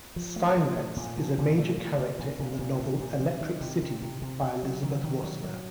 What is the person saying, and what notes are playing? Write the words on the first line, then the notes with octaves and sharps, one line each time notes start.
Steinmetz is a major character in the novel "Electric City" by Elizabeth Rosner.
F3
A3
F3
A3
A#2
F3
A#2
A3
A#2
A#2
A#2
A#2
A#2
A#2
A#2
F3
D#3
C3
C3
C3
C3
C3
F#3
D#3
D#3
F#3
F#3